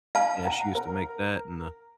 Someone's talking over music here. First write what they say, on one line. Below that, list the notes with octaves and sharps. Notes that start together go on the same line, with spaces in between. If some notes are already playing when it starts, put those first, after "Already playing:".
Yeah, she used to make that, and the,
F5 A5
F#5 A#5
A#4